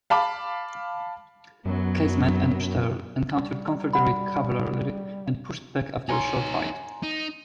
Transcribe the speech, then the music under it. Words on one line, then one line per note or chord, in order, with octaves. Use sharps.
Casement and Sterhl encountered Confederate cavalry and pushed it back after a short fight.
F5 A5 B5 D6
F#2 F#3 B3
G3
F#5 B5
D#4 C#5 G#5 A#5 C6
D#4